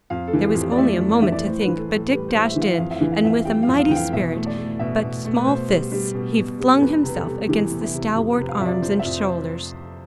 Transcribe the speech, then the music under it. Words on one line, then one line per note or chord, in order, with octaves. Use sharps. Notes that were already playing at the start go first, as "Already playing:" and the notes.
There was only a moment to think, but Dick dashed in, and with a mighty spirit, but small fists, he flung himself against the stalwart arms and shoulders.
F2 F5
A4
E3
G4
F2
G4
D5
A3 E5
F2
D5
E3 E5
D5
A2 C5
B4
E3
A4
A2
A4
G3 B4
A2 C5
E5
E3
F5
E5
F2 F5
E5
E3 F5
F5
F2 E5
F5
G3 G5
F5
F2
F5
E3 G5
F5
B2 E5
A3
D5
A3
B2 E5
B2
A3
B4
B2 C5
G3
G3
B2
B2
G3
A4
E2 B4
C3 B4
A4
G3
E3 G4
E2
E4
C3
F2 G4
B4
C3
F5
F2 E5
D5
F3 C5
E5
F2
C5